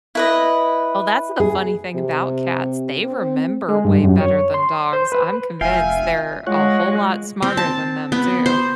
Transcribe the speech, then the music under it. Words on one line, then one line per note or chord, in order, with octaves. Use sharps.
Well, that's, uh, the funny thing about cats, they remember way better than dogs. I'm convinced they're a whole lot smarter than them too.
E4 B4 D#5
G#4
C3
C4
G#3
G2
F#2
C#5
C6
C5
B4
F1 F4 E5 F5 G5 G#5
G#3 F4 C#5 F#5
C4
A5
B3
C5